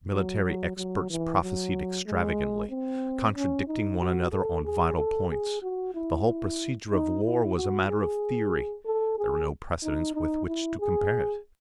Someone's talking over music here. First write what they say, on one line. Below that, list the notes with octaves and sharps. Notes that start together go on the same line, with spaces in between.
Military experts prophesied extravagantly, contradicting one another on vital points; the whole procedure of war was a matter of theory; there were no precedents with which to compare it.
F#3
F#3
F#3
E3
F#3
G#3
C4
C#4
D#4
F#4
A4
G#4
A4
G#4
F#4
E4
E4
D#4
E4
F#4
G#4
A4
G#4
D#4
D#4
E4
G#4